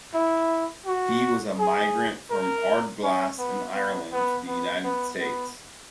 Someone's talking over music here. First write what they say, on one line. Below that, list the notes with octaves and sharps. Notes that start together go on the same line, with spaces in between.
He was a migrant from Ardglass in Ireland to the United States.
E4
F#4
G#4
A#4
C#4
B3
B3
B3
B3
B3
B3